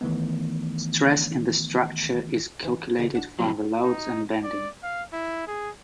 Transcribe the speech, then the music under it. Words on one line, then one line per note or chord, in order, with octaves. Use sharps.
Stress in the structure is calculated from the loads and bending.
D#3 E3 A3 B3
G#2 E3
D3 G3 G#3
D4 F#5
C3 F3 F#3
D#4
D5
F5
E4
G#4